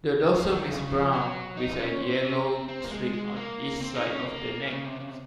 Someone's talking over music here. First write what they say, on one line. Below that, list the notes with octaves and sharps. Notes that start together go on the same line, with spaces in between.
The dorsum is brown, with a yellow streak on each side of the neck.
F3
D#3
C#3
F3
F#3
D#4
C#4
C4
C#4
C4
C4
A#3
G#3
G#3
A#3
C4
D#4
C#4
A#3
C#3
C3
C#3
C3